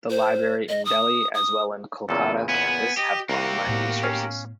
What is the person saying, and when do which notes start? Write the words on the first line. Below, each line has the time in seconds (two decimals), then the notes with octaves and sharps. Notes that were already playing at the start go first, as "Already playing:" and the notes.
The library in Delhi as well in Kolkata campus have online resources.
0.10 C5
0.69 D#5
0.85 D#6
1.34 D#6
2.09 E2 A#2 C#3 A4
2.49 B3 G#5
2.97 G4 D#5
3.29 C2 A#3 F#4 G4
3.66 A2 B3
4.03 C#4 F5